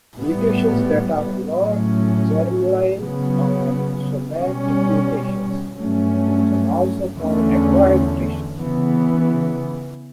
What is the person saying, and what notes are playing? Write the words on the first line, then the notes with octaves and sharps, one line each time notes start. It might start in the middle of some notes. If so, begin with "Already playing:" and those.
Mutations that are not "germline" are somatic mutations, which are also called "acquired mutations".
A2 G3 B3
A2 F#3 A3 C#4
C#3 F#3 B3
B2 G3 C#4
G2 F#3 A3 C#4
E2 D3 A3 C#4
C#3 E3 B3